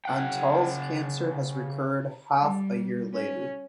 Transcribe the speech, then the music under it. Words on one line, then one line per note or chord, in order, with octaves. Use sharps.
Antall's cancer has recurred half a year later.
C#3 F#5 G5
G3
C#4